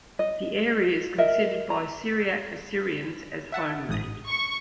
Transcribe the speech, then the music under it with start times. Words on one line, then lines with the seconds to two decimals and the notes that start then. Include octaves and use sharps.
The area is considered by Syriac-Assyrians as 'homeland'.
0.19 D#5
1.18 A#4 D#5 E5
1.70 A#5
3.52 E5 F#5 A5
3.89 A1 G#2 D#6
4.29 C#6